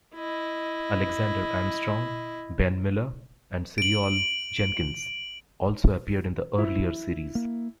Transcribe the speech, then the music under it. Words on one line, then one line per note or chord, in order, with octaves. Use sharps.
Alexander Armstrong, Ben Miller and Siriol Jenkins also appeared in the earlier series.
E4 D#5
D7 F#7
E4
A#3